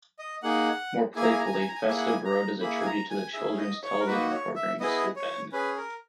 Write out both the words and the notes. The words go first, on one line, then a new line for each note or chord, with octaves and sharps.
More playfully, "Festive Road" is a tribute to the children's television programme Mr Benn.
D#5
A#3 D#4 G#4 F#5
A#3 E4 G#4 G#5
A#5
G#5
A#5
G#5
A#5
G#5
A#5
G#5
A#3 E4 G#4 G#5
F#5
G#5
A#5
A#3 E4 G#4 B5
G#5
A#5
G#5
C#4 E4 G#4 E5
D#5
C#5
A#4
A#3 D#4 F#4 B4
C#5
E5
B3 E4 G#4 D#5
C#5
C#4 G#4 B4
A#4